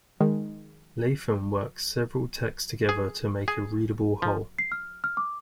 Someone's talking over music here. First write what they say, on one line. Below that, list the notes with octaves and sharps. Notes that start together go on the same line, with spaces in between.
Latham works several texts together to make a readable whole.
D#3 G#3
G#4
G#4
F3
C7
F6
F6
D6